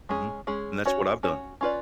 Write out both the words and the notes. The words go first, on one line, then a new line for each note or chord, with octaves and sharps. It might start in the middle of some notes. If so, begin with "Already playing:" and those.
Mhm. And that's what I've done.
G#3 C#4 G#4
G#3 C#4 G#4
C#4 F#4 C#5
C#4 F#4 C#5
C#4 F4 B4 D5